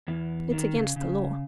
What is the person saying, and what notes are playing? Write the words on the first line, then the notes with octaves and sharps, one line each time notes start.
"It's against the Law."
E2 E3
D#3
C#3
C#3